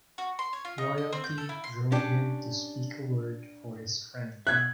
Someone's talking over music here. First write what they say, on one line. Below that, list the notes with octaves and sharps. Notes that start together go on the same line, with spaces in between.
Loyalty drove him to speak a word for his friend.
F#4
C6
C#5
F4
D#4
D#5
C4
G6
A4
E4
C6
C#4 D4 G4
B2 E5 F#6 G#6